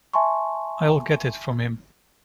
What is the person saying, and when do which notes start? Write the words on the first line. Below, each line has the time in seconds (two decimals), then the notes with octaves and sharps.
I'll get it from him.
0.13 E5 G#5 A5 C6 C#6